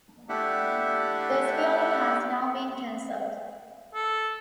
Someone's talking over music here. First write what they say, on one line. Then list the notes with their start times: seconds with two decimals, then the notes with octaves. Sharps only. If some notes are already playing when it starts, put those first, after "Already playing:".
This building has now been cancelled.
0.29 A3 D4 E4 G4 E5 F#5
3.94 A4